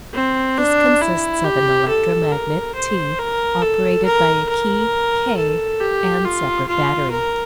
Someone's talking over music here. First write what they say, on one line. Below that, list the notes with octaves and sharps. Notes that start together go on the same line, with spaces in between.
This consists of an electromagnet, T, operated by a key, K, and separate battery.
C4
D4
E4
G4
A4
A#4
C5
A#4
A4
A#4
A#4
A4
G4
F4
F4
A#4